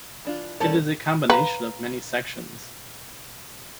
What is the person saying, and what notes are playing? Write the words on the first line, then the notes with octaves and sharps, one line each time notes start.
It is a combination of many sections.
E3 D4 F4
G3 C#4 A4 A#4 D5 F#5 A5
B4 C#5 F5 A#5